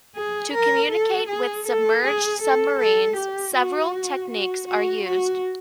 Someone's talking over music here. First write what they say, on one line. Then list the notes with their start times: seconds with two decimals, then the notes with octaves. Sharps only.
To communicate with submerged submarines several techniques are used.
0.15 G#4
0.53 A#4
0.91 A4
1.29 G#4
1.66 A4
2.04 G#4
2.41 A4
2.79 A4
3.16 G4
3.54 F#4
4.30 F#4
4.68 F#4
5.05 F#4